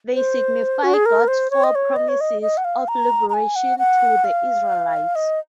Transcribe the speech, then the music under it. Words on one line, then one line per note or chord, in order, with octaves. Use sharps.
They signify God’s four promises of liberation to the Israelites.
C5
F#4
G#4
A#4
C5
C#5
D#5
C#5
D#5
C#5
D#5
D#5
F#5
F5
A#5
A#5
G#5
F#5
F#5
F5
D#5